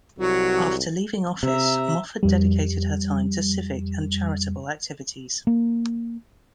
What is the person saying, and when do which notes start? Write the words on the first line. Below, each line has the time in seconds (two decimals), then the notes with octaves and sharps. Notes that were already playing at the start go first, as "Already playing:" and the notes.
After leaving office, Mofford dedicated her time to civic and charitable activities.
0.19 C2 F#3 F#4
1.43 C3 E5 A#5
2.23 F2 G3
5.47 A#3